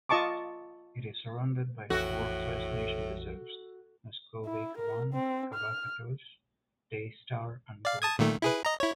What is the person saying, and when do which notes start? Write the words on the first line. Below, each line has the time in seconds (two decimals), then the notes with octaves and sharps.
It is surrounded by four First Nation reserves: Muskowekwan, Kawacatoose, Daystar and Gordon.
0.09 F4 D#5 A5 C#6 D6
1.90 A#1 F2 A2 E3 F#4 A4
4.46 E4
4.78 A#4
5.13 C4
5.54 F6
7.85 D5 F5
8.02 A5 D#6 G#6
8.19 A#2 D#3 A3
8.42 E4 G#4 B4
8.65 D#5 A#5
8.80 E4 C#5